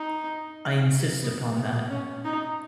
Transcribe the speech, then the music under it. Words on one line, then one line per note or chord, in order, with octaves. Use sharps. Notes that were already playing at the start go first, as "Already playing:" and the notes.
I insist upon that.
Already playing: D#4
B3
B3
C#4
D#4